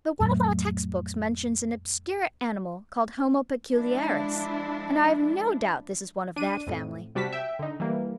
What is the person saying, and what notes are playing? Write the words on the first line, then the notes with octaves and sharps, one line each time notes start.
But one of our text-books mentions an obscure animal called Homo Peculiaris, and I have no doubt this is one of that family.
F2 A2 F#3
F3 G#3 D4 E4
D4 D#7
F2 A2
C3 G3 F#4 A5 B6
E5 G5
D3 D#4
E3 G3 A#3